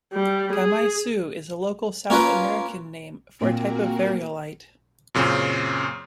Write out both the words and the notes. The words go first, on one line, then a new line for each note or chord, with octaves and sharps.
"Gamaicu" is a local South American name for a type of variolite.
G3
G#4
A#3 C#4 F4 A#4 B4
A#2 A#3 C4 F#4 A#4
F#2 A#2 C#3 C4 C#4